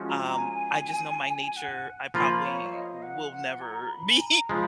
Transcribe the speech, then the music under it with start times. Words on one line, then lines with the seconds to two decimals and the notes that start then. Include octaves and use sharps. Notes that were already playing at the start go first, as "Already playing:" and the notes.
um, I just know my nature. I probably will never be
Already playing: F3 G#3 C#4 F#4
0.09 A#5
0.38 G#5
1.57 F#5
2.14 F3 A#3 F4 B5
2.45 C#5
2.66 F5
2.73 D#5
3.02 F#5
3.32 F#5
3.61 A#5
3.91 B5
4.11 G#5
4.20 A#5
4.49 F3 G#3 B5